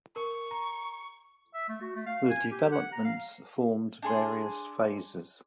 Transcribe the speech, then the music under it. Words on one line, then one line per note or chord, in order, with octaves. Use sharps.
The developments formed various phases.
A#4 C#6
A#5
E5
A3
F#4
A3
F5
G#5
G4
F#5
A#5
F5
D4 G#4 C6